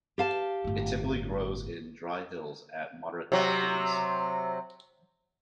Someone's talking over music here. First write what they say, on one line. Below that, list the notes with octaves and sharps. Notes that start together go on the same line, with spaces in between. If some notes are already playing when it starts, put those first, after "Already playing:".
It typically grows in dry hills at moderate altitudes.
G4 F5 A5
G1 A2
C3 F#3